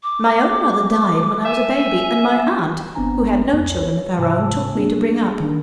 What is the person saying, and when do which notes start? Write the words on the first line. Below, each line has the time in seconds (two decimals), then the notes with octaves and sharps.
My own mother died when I was a baby, and my aunt, who had no children of her own, took me to bring up.
0.03 D6
1.45 E5 G#5
2.95 G1 B3 C4 D4 G#5 A#5
3.53 C2 F2
3.77 C#5
4.18 G#2 C3 G#5 A5 E6
4.75 A#3 C4 D4 G#4
5.40 D#3 D4